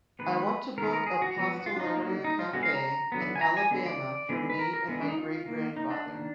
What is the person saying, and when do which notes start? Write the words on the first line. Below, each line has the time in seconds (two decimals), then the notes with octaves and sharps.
I want to book a pastelaria cafe in Alabama for me and my great grandfather.
0.19 D#3 G#3 B3 B4
0.78 D#3 G#3 B3 A#4
0.93 A#4
1.06 G#4
1.22 F#4
1.37 F3 B3
1.54 F#4
1.66 F4
1.76 D4
1.80 D#4
1.96 D3 F#3 A#3
2.24 D#4
2.39 F4
2.53 D3 G#3 B3 F#4
2.63 F5
2.74 A#5
3.12 D3 F#3 B3
3.36 G#5
3.41 A#5
3.57 G#5
3.71 D3 G#3 B3
3.86 D5
4.29 D3 G#3 B3
4.50 B4
4.59 A#4
4.73 A#4
4.88 D3 G#3 B3
5.01 D4
5.09 D#4
5.18 F4
5.46 D#3 A#3
5.77 D#4
5.90 D4
6.06 D#3 A#3